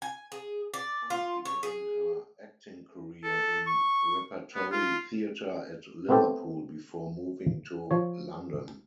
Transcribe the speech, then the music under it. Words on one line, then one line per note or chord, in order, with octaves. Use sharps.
Hunt began her acting career in repertory theatre at Liverpool before moving to London.
G#5
G#4
D5
F4
C#5
G#4
A4
C#6
B3
F4
A3 B3 C4 G4 A4 G5
F3 C#5